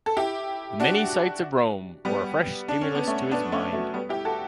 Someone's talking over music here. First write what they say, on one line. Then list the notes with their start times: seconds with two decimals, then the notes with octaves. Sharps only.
The many sights of Rome were a fresh stimulus to his mind.
0.06 A4
0.16 E4 G4
0.80 D4 F#4
2.05 G3 B3
2.68 D4
2.81 C#4
2.95 B3
3.07 A3 C#4
3.31 B3 D4
3.52 A3 C#4
3.73 F#3 A3
3.94 G3 B3
4.09 E4 G4
4.25 F#4 A4